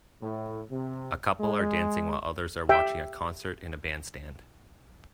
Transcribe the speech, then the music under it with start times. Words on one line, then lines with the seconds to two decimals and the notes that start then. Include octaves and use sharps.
A couple are dancing while others are watching a concert in a bandstand.
0.23 A2
0.72 C3
1.40 G#3
2.69 G4 E5 G5